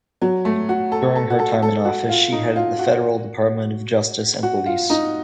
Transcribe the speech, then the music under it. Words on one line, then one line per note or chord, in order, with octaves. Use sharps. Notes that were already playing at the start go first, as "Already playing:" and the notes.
During her time in office she headed the Federal Department of Justice and Police.
F#3
A3
F#4
A4
A4
F#4
A4
A4
F#4
F4
D#4
F4
F#4
F#4
F4
D#4